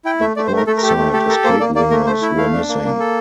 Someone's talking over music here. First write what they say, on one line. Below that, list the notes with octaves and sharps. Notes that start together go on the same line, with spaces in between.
The port-side escape windows were missing.
E4 G5
A3 E5
A3 D5
C5
A3
A#4
A3 A4
A#4
G4 A4
A3
G4 A4
A4 A#4
A#3 C5
A#3 D5
A#3 D5
A3 A#4
A3 C5
E4 E5
A3 F5
D4
A#3
A#3
A4